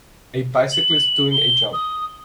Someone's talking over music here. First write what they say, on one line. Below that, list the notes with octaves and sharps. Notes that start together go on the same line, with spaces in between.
A bicyclist doing a jump.
F#7
G7
D#6